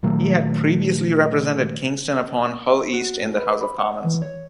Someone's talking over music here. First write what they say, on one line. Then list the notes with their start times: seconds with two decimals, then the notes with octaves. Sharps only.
He had previously represented Kingston upon Hull East in the House of Commons.
0.03 A#2 D#3 F#3 A3
2.93 F#4
3.22 G#2
3.38 B4
3.61 B5
3.78 F#5
4.04 E3
4.22 C#5